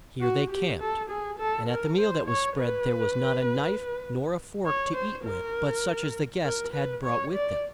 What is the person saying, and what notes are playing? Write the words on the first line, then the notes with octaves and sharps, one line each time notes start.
Here they camped, and at the meal that was spread there was not a knife nor a fork to eat with but such as the guests had brought with them.
F#4
G4
A4
G#4
A4
A#4
C5
C#5
B4
C#5
C5
A#4
A#4
B4
C#5
D5